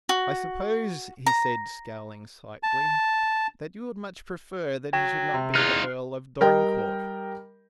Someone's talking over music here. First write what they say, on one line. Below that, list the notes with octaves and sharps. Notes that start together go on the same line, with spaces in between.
"I suppose," he said, scowling slightly, "that you would much prefer that he should not be the Earl of Dorincourt."
F#4
A#5
A5
F#3 G5
C3
E2 D#4 F4 F6 F#6 C7
G3 A#4 D#5 G5